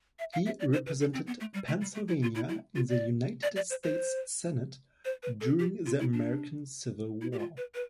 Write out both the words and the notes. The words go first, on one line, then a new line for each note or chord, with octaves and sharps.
He represented Pennsylvania in the United States Senate during the American Civil War.
E5
F5
E5
D5
C5
B4
A4
C4
B3
A3
G3
A3
G3
A3
E4
F4
E4
E4
F4
D5
D5
D5
C5
C5
C5
B4
A4
G4
F4
E4
D4
E4
G4
F4
B4
B4